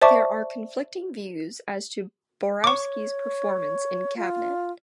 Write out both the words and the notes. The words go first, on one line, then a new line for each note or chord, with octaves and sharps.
There are conflicting views as to Borowski's performance in cabinet.
C5 D5 E5 A5 C#6 D6
C#5 C#6 D6
F4